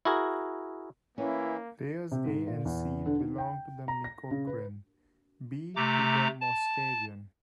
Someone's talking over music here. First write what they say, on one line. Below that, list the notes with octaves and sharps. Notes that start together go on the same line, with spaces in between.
Layers A and C belong to the Micoquien, B to the Mousterian.
E4 F#4 G#4 A#4
E3 A#3 C#4 E4
C3
G#2
A#2
E2
D3
D#3
G5
A#5
A#6
C#3
B4
C3 A3 A#5 D6
A5